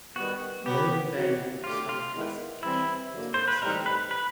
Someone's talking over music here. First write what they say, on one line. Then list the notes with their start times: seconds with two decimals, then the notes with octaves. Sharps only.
No variable star classification has been assigned.
0.16 D#3 G3 B3 F#4
0.65 B2 F#3 B3 G4
1.15 C3 D#3 F#3
1.64 A3 D4 F4 G4
1.89 F4
2.14 D#3 G#3 B3 E4
2.63 E3 G3 C4 E4
3.12 D3 F#3 A#3
3.34 C5
3.48 B4
3.61 A2 E3 G3 C4 D#4 A#4
3.86 B4
4.11 B4